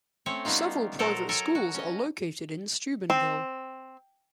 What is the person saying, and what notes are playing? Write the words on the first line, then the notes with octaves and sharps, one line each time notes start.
Several private schools are located in Steubenville.
A3 C4 C#4 C#5
G3 B3 C#4 D#4 F4
A#2 F#3 A4 A#4 C5 A5
A4 A#4 C#5 G#5 A#5
F#4
C#4 D#5
C4